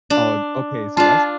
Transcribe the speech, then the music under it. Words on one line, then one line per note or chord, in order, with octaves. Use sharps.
Oh, an okay, so that's
D4
D4 F4 A5